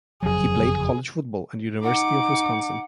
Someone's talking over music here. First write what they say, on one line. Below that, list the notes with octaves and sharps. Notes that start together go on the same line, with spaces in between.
He played college football at University of Wisconsin.
F#1 F2 F#3 G#4
D#4 F#5 D6